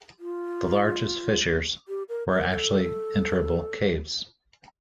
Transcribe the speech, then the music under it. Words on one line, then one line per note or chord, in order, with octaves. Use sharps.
The largest fissures were actually enterable caves.
F4
G4
A#4
A#4
A#4
A4